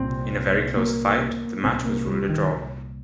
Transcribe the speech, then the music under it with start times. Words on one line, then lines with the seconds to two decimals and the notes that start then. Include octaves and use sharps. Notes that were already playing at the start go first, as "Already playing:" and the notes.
In a very close fight, the match was ruled a draw.
Already playing: C2 A#2 C4
0.77 A#3
1.64 C2 A#2 C4
1.86 A#3
2.07 G3
2.29 D#3